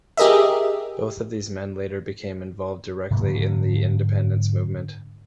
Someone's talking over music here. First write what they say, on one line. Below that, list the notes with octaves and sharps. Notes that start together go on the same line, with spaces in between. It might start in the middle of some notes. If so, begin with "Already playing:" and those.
Both of these men later became involved directly in the independence movement.
G4 G#4 A#4 D#5 E5
G#2 D3 F3 A#3